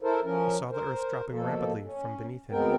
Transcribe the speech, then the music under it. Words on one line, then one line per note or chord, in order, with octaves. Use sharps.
He saw the earth dropping rapidly from beneath him.
E4 A4 A#4 C5
F3 C#4 A#4
A#4 C5
B2 F3 A#3 A4
C#4
D2 G#3 B3 C4 A#4 G5